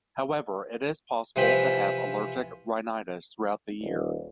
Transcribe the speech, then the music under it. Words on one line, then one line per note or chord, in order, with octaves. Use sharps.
However, it is possible to have allergic rhinitis throughout the year.
C3 E3 F3 B4 G5 B5
D#1